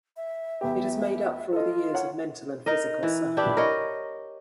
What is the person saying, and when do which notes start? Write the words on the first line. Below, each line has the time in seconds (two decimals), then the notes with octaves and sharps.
It has made up for all the years of mental and physical suffering.
0.17 E5
0.61 E2 B3 G4
1.53 F4 A4 D#5
1.94 C#5 F#5
2.66 D#4 A#4 D#5
3.03 E3
3.37 D4 E4 G4 B4
3.57 A#4 C#5 D#5